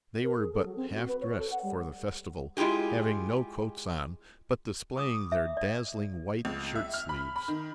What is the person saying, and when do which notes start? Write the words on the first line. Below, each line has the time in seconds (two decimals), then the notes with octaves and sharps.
They were but half dressed for the festival, having no coats on, but displaying their dazzling white shirt-sleeves.
0.23 A#4
0.36 G#4
0.52 A4
0.65 F#3
0.76 C4
0.92 F#4
1.08 B4
1.21 C#5
1.38 A4
1.51 F#5
1.63 G3
2.57 G#3 E4 F4 G4 G#4
4.97 B5 D6 D#6
5.32 E5
5.57 D5
6.45 C#2
6.75 E5
6.94 F6
7.09 B5
7.36 B5
7.48 D#3